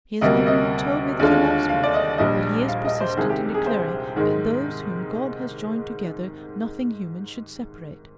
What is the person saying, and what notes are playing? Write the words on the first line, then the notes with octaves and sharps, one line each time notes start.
He has never even told me that he loves me; but he is persistent in declaring that those whom God has joined together nothing human should separate.
D2 C3 G3 A#3 D#5
D#5
D#2 D3 G#3 D4 F4
F5
D5
D#5
A#1 A#2 G3 D4 D#5
F5
D#5
C5
C2 C3 D#3 G#3 G#4
G4
G#4
C5
G#2 D#3 G#3